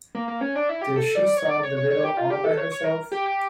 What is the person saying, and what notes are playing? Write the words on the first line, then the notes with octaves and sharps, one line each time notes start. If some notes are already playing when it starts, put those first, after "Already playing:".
Did she solve the riddle all by herself?
A#3
A#3
C#4
D4
E4
G4
A4
D5
C#5
D5
C#5
C#5
C#5
G4
F4
G4
A4
C#5
C#5
A#4
G4
G4